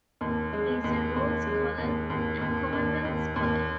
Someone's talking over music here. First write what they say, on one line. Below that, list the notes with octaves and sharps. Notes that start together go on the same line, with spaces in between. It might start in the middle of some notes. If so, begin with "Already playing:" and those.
He is a Rhodes Scholar and Commonwealth Scholar.
D#2
G#3
D#2
D#2
G#3
D#2
D#2
D#2
D#2
D#2
D#2